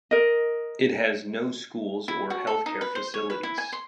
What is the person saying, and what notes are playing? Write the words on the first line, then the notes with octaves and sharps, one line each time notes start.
It has no schools or healthcare facilities.
A#4 D#5
E4
F#4
A4
D#4
B4
C5
C#5
B4
E4
G#5
C6